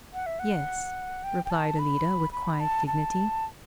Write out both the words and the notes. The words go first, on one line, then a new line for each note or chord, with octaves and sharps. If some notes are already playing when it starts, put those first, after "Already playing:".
"Yes," replied Alida with quiet dignity.
F#5
E5
F#5
G5
G5
A5
B5
B5
A5
A5